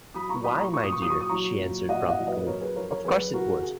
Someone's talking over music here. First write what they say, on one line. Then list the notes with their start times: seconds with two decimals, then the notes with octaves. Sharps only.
"Why, my dear," she answered promptly, "of course it would!"
0.14 F#3 B5 D#6
0.29 A#5 C#6
0.44 A#2 B5 D#6
0.58 A#5 C#6
0.72 A#2 C#6
0.83 D#6
0.92 C#6
1.02 F#3 D#6
1.10 C#6
1.21 D#6
1.29 F#3 A#5 C#6
1.59 A#2
1.89 A#2 D#5 F#5
2.08 D#5 F#5
2.19 F#3
2.27 B4 D#5
2.47 F#2 A#4 C#5
2.61 G#4 B4
2.76 F3 A#4 C#5
2.90 A#4 C#5
3.05 F#2 G#4 B4
3.33 C#3 F#4 A#4
3.63 G#4